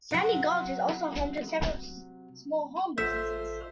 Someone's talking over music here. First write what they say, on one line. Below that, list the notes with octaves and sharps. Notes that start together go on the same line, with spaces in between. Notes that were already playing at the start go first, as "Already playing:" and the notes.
Sandy Gulch is also home to several small home businesses.
C3 F#3
A1 F4 A4 C5 E5 G6